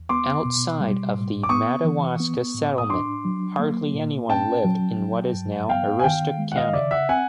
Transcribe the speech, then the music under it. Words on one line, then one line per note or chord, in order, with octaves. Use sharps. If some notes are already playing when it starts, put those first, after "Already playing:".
Outside of the Madawaska settlement, hardly anyone lived in what is now Aroostook County.
Already playing: E2
B3 C6 D6
B2
G3
A2
D6
B3 C#6 D#6
E3
B3
A2
D#6
D4 C6 D6
F#3
A#3
A#2
C#4 G5 A5
F#3
F#3
G2
B3 F5 G5
G#5
D#3 F5 G5
G#3
F#5
D#5 F5
C#3 D5 E5
E5 F#5
C4 F#5 G#5